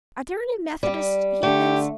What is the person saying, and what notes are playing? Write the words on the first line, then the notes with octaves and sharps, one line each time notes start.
Are there any Methodist heathen?
G3
D3 A3 G4